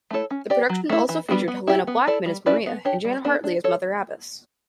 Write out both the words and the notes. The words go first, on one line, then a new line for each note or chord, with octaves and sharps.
The production also featured Helena Blackman as Maria and Jan Hartley as Mother Abbess.
A3 E4 A4 C#5
C#4
G4 D5
F#3
A3 E4
E3
G3 B3 D4 F#4
B3
E4 G4
B3
E4 A4 D5
G3
C#4 E4 B4 D5
B3
D4 G4 C#5
G3
B3 D4 A4
D4
A4 C#5